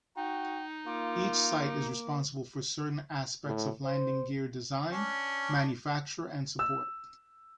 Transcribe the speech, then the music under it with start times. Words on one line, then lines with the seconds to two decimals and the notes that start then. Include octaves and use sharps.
Each site is responsible for certain aspects of landing gear design, manufacture and support.
0.16 D#4 F#4 G5
0.87 A#3 F4 D6
3.46 A2
3.84 C5
4.90 C#4 D4
6.59 E6